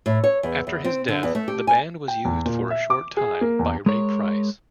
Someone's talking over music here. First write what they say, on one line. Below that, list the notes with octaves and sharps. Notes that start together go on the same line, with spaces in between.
After his death, the band was used for a short time by Ray Price.
A2
C#5
E2
E2
C4
D3
E2
A3
G4
G#5
G5
E2
A#2
E5
D6
G#4
A#3
E2
G#3 A#4 C#5